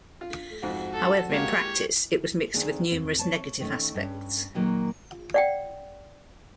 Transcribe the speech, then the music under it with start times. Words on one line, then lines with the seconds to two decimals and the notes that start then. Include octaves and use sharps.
However, in practice it was mixed with numerous negative aspects.
0.21 F4
0.63 F2 G#2 F#4
0.94 A4
1.31 G#3 A#3 G4 C#5 F5
2.54 D2 D#3 C4 D4 G#4 F5
2.91 E2 C4
3.19 C#5 A5
3.60 D#3 A3 C#4
3.94 G2 C#4
4.55 A#2 D#3 F#3 A#3
5.34 D5 F#5 G5